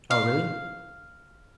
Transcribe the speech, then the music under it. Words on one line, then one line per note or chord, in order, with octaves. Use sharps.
Oh, really?
F5